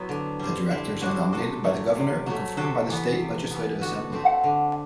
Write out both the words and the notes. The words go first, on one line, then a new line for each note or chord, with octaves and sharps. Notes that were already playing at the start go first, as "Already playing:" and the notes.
The directors are nominated by the Governor and confirmed by the state legislative assembly.
Already playing: F#3 B3 C4 E4
D3
G3 C4
D3 C4 E4
G3 C4 D4 F#4
C3 F#4 A4
F#3 A3
C3
F#3 A3
C3 F#4 A4
E3 B3
C3
E3 B3
D3 F#4 A4
A3 C4
D3